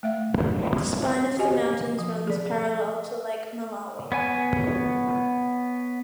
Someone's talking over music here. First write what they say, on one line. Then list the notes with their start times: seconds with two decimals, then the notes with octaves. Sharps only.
The spine of the mountains runs parallel to Lake Malawi.
0.03 A3 E5 F5
1.39 F#4 G4 D#5 G#5
1.99 F3
2.27 G#4 D5
4.12 B3 C#5 G#5